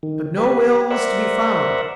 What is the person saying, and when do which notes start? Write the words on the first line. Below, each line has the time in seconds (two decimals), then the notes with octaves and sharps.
But no will was to be found.
0.03 D#3
0.37 G4 B4
0.91 A#4 C5 D5 E5 F#5